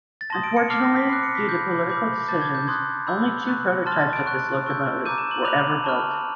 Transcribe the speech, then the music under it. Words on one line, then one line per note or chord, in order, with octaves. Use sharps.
Unfortunately, due to political decisions only two prototypes of this locomotive were ever built.
A6
A5 C6 D#6 A#6
D7
C#7
A5 D6 F6 C7
A#6
B6
B5 D6 F#6 C7
C#7
B6
B5 D6 G6
B5 D6 G6
A5 D6 G6 A6
G#6
G6
C6 D#6 F#6 G#6
B5 E6 G6
C#6 F#6
A5 C6 F6 A6
A6
D7
C#6 F#6
C#6 E6 G6
A#5 D6 G6 D#7
E7
F#7
B5 D6 F#6 F7
A5 C#6 F6